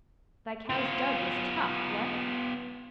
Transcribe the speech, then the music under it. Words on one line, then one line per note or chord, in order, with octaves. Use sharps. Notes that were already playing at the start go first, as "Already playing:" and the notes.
Thy cow's dug was tough, what?
B3 F4